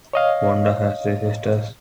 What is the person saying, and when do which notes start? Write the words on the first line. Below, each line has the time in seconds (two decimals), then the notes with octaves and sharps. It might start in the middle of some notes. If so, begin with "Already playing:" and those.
Vonda has three sisters.
0.13 C#5 D#5 F5